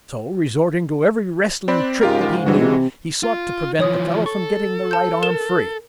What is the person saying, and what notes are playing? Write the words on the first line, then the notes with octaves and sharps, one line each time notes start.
So, resorting to every wrestling trick that he knew, he sought to prevent the fellow from getting the right arm free.
C4 D5 B5 F#6
G#2 C#3 G#3 F4 G4 A#4
G2 E3 F#4
C3
F4
E3 F3 C#5 D#6
A4 C#6
A5 G6
A#4 E7 G7